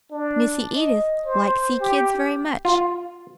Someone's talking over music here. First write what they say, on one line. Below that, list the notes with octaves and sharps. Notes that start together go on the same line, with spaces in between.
Missy Edith like see kids very much.
D4
D#5
C5
G4
F4